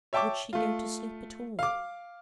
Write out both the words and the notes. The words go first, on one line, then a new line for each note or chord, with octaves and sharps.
Would she go to sleep at all?
C#5 E5 G5 A5 C#6 D6
A3 F4
F5 D6